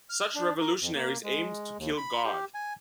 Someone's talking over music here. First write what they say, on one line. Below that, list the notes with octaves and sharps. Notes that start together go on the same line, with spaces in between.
Such revolutionaries aimed to kill God.
F6
D4
A#4
F2
A#3
G#3
D#2
B5
G4
G#5